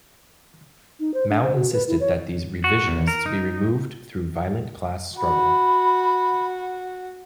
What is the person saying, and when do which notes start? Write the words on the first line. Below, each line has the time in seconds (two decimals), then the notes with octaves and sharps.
Mao insisted that these "revisionists" be removed through violent class struggle.
1.00 D#4
1.14 C5
1.30 D4
1.43 C5
1.55 F#4
1.73 B4
1.88 E4
2.00 C#5
2.64 F#4
2.88 E2
3.07 A#4
3.26 D#4
5.18 F#4 B5